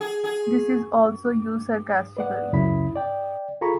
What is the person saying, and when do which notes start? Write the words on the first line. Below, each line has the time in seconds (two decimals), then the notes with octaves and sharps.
This is also used sarcastically.
0.01 G#4
0.24 G#4
2.17 B4 D5 F#5
2.53 C#2 F#2 C#3 C#4 E4 B5
2.96 D5 G5
3.61 F4 G#4 A4 A#5 B5 C#6